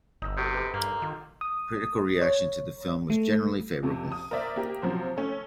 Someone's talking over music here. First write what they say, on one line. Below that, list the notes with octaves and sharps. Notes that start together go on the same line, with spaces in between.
Critical reaction to the film was generally favorable.
G1 D#4 E6
C3 D#4 F#4 A4
G4 B4
G2 A#3 C5
D#3 F4
D#6
C#5
A3
F2 C3
D#6
A#4 C5 D5 E5
A#3 G4
C3 F3 F#3 C5
A3 C#4